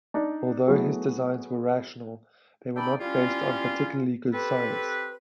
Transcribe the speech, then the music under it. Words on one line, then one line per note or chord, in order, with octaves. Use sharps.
Although his designs were rational, they were not based on particularly good science.
D4 D#4 D5
F#3 A3 B3 E4 F#4 G#4
D4 D#4 D5 E5 G5 B5
G3 C#4 E4 F4
C4 G4 A4 B4